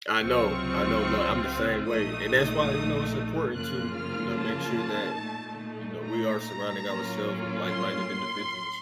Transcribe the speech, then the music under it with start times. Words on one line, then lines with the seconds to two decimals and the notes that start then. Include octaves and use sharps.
I know, I know, loo I'm the same way, and that's why, you know, it's important to, you know, make sure that, y you know, we are surrounding ourselves with like-minded individuals.
0.19 C#2 C3 F#3 C4 F4 C#6
1.87 A#1 A#2 A3 D#4 D#6
3.53 F#2 C#3 F3 A#3 F4 F#6
3.96 F6
4.38 A5
5.20 A#2 A3 D#4
6.04 A#5
6.88 A2 F#3 A#3 C#4 F4
7.70 C6